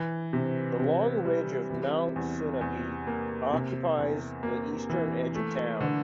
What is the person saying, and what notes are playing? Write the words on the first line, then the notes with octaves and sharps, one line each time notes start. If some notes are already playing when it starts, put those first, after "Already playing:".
The long ridge of Mount Sunapee occupies the eastern edge of town.
Already playing: E3
C3
C3
G3
E3
E2
E2
A#3
C3
E2
A#3
E3
A3
D3